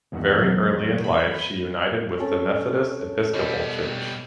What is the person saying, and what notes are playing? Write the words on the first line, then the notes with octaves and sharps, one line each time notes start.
Very early in life she united with the Methodist Episcopal Church.
E2 D#3 F#4
F#3
B5
C#4 A4
B2 G3 D#5 D6